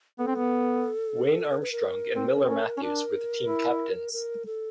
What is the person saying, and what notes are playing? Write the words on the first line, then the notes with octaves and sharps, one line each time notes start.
Wayne Armstrong and Miller Matthews were the team captains.
B3 A4
C4
B3
A#4
B4
A#4
C4
C4
C#4
C#4
D4 A#4
E4
A#4
A4